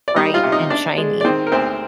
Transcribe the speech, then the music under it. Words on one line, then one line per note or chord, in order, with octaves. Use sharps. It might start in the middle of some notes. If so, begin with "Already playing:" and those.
bright and shiny.
D5
G3 D#4 D#5
F4 F5
C3
D#4 D#5
D4 D5
G#3
D5
D#3 C4 C5
A#4
D2 C4 C5